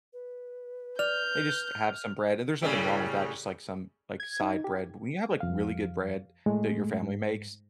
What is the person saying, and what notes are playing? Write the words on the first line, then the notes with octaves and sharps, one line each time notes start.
they just have some bread and there's nothing wrong with that, just like some, like, side bread but when you have, like, really good bread that your family makes,
B4
D5 F6 G6 F7
A2 C#3 G3
G#6
D#4
G4
F2 F5
A2 G#3 A3
G#2